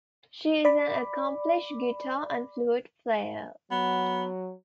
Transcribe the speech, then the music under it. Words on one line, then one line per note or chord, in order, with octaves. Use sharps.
She is an accomplished guitar and flute player.
D5 B5 D6
F#3 B3